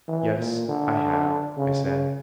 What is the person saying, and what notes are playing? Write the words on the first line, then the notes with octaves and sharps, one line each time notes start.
"Yes, I have," I said.
E3
A#2
D3
C#3
C#3